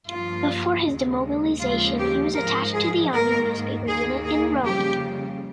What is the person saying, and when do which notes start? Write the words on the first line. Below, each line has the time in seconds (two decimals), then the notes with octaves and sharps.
Before his demobilisation he was attached to the Army Newspaper Unit in Rome.
0.09 G2 F3 A#3 F4
0.84 D#2 C#3 G#3
1.60 D#2 C#3 F3 G#3 F4
1.98 G4
2.35 G#2 F3 G#3 A#4
2.73 G#4
3.11 G#2 D#3 A#3 A#4
3.87 D#2 D#3 A#3 G#4
4.25 G#4
4.63 F2 C#3 G3 A#3 G4